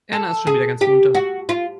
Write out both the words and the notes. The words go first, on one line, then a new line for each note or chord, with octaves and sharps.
Erna ist schon wieder ganz munter.
A4
G#4
G4
F#4
F4